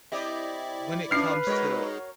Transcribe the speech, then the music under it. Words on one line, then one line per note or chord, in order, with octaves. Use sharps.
when it comes to
C4 E4 G4 D5 D#5
C#4 D4 F4 B4 F6 C7
G#3 D#4 F#4 A#4 C#5